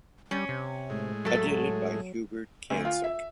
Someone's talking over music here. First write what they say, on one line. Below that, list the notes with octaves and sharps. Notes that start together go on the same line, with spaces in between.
Edited by Hubert Cancik.
G3 C#4
C3
A2 G#3
F#3 A3 A4
D2
F4
E5